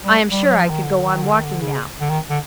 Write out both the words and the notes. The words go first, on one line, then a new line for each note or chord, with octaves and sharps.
I am sure I could go on walking now.
G3
G3
F#3
F3
D#3
D3
D#3
D3
D#3
D3
C#3
D3
D#3
D3